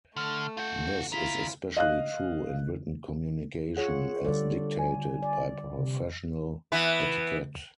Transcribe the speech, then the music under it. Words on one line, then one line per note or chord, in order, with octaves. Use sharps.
This is especially true in written communication, as dictated by professional etiquette.
D3 A3 F6
F4 F#5 G6
D#3 E4 F4 B6
D#5 F5 F#6
F4 G#4 C#5 F#5
D3 G3 A4 D5
G#5
D5
C3
E3 B3 B4